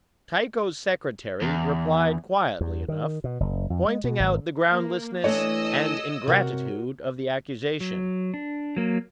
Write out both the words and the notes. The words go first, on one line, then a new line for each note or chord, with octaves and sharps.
Tycho's secretary replied quietly enough, pointing out the groundlessness and ingratitude of the accusation.
E2
E2
D#3
B2
F#1
F2
G#3
B2
G#1
A#3
E3 A3 D4 C#5 D#5 D#6 E6
C3 C4 F#4 A#4
F#3
D4
F#3 A#3